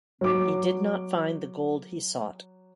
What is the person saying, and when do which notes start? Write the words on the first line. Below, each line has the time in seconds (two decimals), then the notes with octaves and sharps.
He did not find the gold he sought.
0.21 F#3 D6